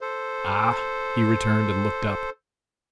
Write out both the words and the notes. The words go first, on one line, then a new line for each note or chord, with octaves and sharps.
"Ah!" he returned, and looked up.
A4 C5